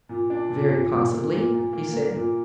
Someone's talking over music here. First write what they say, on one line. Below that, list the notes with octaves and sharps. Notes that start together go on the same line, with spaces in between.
Very possibly, he said.
A#2
D4
A#2
A#2
A#2
A#3
A#2
A#2
A#3
A#3
A#2